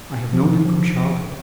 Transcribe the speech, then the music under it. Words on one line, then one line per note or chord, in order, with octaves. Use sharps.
I have known him from childhood.
F3
F3